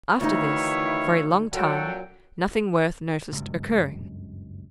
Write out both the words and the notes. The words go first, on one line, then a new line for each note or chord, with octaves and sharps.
After this, for a long time, nothing worth noticing occurred.
D2 D#3 E3 D#4 E4 C#5 E5 F5
F#2 A#2 F#3 A4 F#5 G5
F#1 C#2 G2